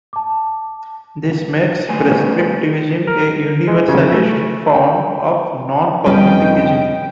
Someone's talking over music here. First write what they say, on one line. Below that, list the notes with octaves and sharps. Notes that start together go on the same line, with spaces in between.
This makes prescriptivism a universalist form of non-cognitivism.
A5 D6
G3 A3 B3 G#5
A#4
G#3
C#3
A3
G5
F2 G3 B3 C#4 B4 D#5 G5